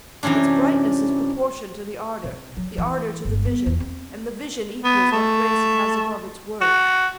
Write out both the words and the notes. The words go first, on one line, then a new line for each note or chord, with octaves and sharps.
Its brightness is proportioned to the ardour, The ardour to the vision; and the vision Equals what grace it has above its worth.
F#2 C3 E3 C#4 D4
C3
F#3
E3
G1
B3
E2
C4
B3
A3
F#4